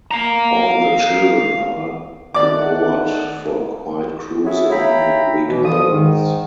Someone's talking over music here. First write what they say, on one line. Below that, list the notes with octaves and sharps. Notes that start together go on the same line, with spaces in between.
All the children are aboard for a quiet cruise among the Greek islands.
F5 A#5
D#3 A3 D5 F#5 D6
C#4 E4 F#4 G#4 A4
C#5 E5 F5 G5 A#5 B5
B2 E3
D3 F3 F4 D#6
G#2 D#3